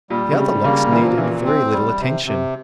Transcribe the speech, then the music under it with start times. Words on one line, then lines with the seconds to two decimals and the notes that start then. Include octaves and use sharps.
The other locks needed very little attention.
0.10 A#2 G3
0.31 C#3
0.37 C3 G3
0.64 C#3 A#3
0.92 A#2 E3
1.04 F3
1.18 A#2 E3
1.45 C4
1.73 G3
2.00 C3
2.26 C3